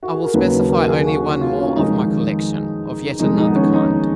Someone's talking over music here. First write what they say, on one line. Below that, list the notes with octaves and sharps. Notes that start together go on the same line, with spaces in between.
I will specify only one more of my collection, of yet another kind.
F#4
G#4
A#4
D#2 C#3 F#3 B4
A#4
G#4
F#4
F#4
F4
C#4
F2 D#3 G#3 D#4
F2 D#3 G#3 D#4
D#4
B3
C#4
D#4